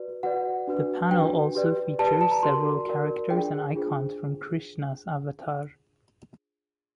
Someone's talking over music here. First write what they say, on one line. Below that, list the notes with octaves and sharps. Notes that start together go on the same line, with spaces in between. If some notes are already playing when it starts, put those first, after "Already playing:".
The panel also features several characters and icons from Krishna's avatar.
Already playing: F#4 B4 D5
F#4 B4 D5 F#5
D4 F#4 B4
D4 F#4 B4 G5
G4 B4 D5
G4 B4 D5 A5
A5
A#5
F#4 A#4 D5 C6
F#4 A#4 D5
D4 F4 G#4 C5 G5
D4 F4 G#4 C5